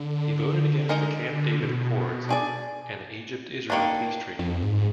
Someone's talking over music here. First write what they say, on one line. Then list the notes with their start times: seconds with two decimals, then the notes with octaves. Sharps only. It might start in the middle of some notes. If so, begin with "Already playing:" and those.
He voted against the Camp David Accords and the Egypt-Israel Peace Treaty.
Already playing: D3
0.89 G#3 D#4 A#4 D#5
1.60 B2
2.29 D4 G#4 D5
3.70 D#3 A#3 D4
4.39 F2
4.62 G#2